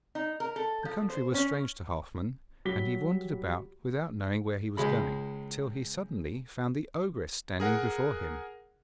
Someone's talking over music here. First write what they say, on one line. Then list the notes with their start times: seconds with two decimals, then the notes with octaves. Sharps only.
The country was strange to Halfman, and he wandered about without knowing where he was going, till he suddenly found the ogress standing before him.
0.15 D#4
0.40 A#4
0.56 A4
0.85 F3
1.10 C5
1.34 C#4
2.65 F#3 G3 B6 G7
4.77 C#2 G#3 B5
7.60 G#4 A#4 F#5